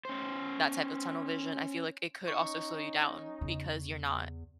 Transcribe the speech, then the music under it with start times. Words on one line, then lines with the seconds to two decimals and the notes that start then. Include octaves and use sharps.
that type of tunnel vision, I feel like it could also slow you down because you're not,
0.05 C#4 C5
2.28 C#4 D#4 C#6
3.41 E2 C#3